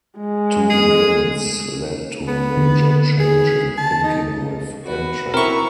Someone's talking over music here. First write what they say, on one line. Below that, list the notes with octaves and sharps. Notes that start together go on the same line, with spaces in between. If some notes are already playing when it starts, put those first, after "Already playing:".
Two events led to a major change in thinking within Amtrak.
G#3
G#4
B3
D3
G#4
A5
D#4
F#4 B4
C4 E4 A#4 A#5 C#6